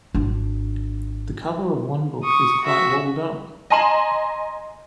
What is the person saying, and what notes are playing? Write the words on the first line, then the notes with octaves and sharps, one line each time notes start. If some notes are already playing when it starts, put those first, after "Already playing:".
The cover of one book is quite wobbled up.
G#1 D4
C#6 D#6
F#4 E5
D#5 G#5 A#5 C6 E7 F#7